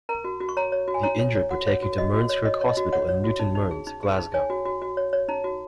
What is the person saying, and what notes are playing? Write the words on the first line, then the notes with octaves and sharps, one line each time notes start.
The injured were taken to Mearnskirk Hospital in Newton Mearns, Glasgow.
A#4 A#5
F#4
F#4
C#6
C#5 A#5
C#5
F#4
G#5
C#5 A#5
C#5
C#5
F#4 F#5
C#5
F#4
F#4 D#5
F#4
C#5
C#5 D#5
C#5
D#5
F#4
C#5 F#5
C#5
F#4
D#4
D#4
G#4
D#4
G#4
D#4
C#5 G#5
F#4
F#4
F#4
C#5
C#5
D#4 A#5
F#4